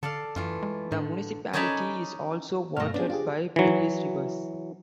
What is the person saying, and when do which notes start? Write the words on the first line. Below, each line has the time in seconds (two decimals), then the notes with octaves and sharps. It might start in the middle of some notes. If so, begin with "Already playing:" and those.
The municipality is also watered by various rivers.
0.03 D3 A4 D5 F5
0.36 F#2 E3 A3 F4
0.63 G#3
0.92 A2 D3
1.53 C#4 D#4 C#5 D5 A5 B5
2.77 G2 B2 A3 F4 F6 A#6
2.94 B3 C#4 D4 F4 G#4
3.10 F4 G4 G#4 D5
3.56 E3 F#3